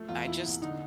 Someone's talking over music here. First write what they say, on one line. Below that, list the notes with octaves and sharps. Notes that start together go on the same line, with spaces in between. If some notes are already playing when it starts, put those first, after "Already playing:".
I just
Already playing: F3 A3
E2 F4
A#2 E4
C2
D3 D#4